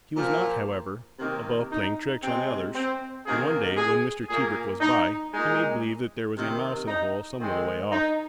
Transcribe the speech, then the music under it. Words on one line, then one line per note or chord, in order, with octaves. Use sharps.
He was not, however, above playing tricks on the others, and one day when Mr. Tebrick was by, he made believe that there was a mouse in a hole some little way off.
A#2 F3 A#3
C3 D#3 A#3 C4
D#4
C3 G#3 C4
C4
C3 D#3 A#3 G#4
G#4
A#2 A#3 G#4
D#4
A#2 G#3 D#4
C3 D#3 A#3 C4
D#4
D#3 G#3 C4
D#4